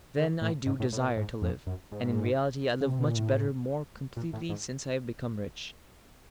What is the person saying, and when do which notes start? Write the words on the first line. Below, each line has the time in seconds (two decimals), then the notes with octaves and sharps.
Then, I do desire to live: and, in reality, I live much better, more completely, since I have become rich.
0.17 D3
0.41 A2
0.66 G#2
0.80 A2
0.92 A2
1.00 B2
1.05 A#2
1.16 G#2
1.42 F2
1.67 F#2
1.92 G#2
2.81 C#3
2.89 C3
2.99 B2
3.08 A#2
3.16 A2
4.16 A#2
4.33 A2
4.49 G#2